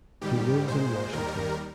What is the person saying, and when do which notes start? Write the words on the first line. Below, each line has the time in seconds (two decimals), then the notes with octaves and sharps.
He lives in Washington.
0.21 G#2 D#3 G3 G4
0.67 A#2 G#3 C5
1.13 D#2 D#3 G3 A#4